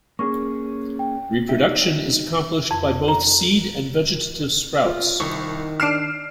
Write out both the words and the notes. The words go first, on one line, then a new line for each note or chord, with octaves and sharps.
Reproduction is accomplished by both seed and vegetative sprouts.
A#3 C#4 G#4 C#6
G5
F#3 D#4 G4 E5
F2
A#5
F4
C2 D#3 C#6
D4 F6 C7 D7 E7